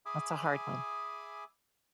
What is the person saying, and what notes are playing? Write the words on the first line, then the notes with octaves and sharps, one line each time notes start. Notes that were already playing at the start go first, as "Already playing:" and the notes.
That's a hard one.
G#4 E5 G#5 B5 D6 D#6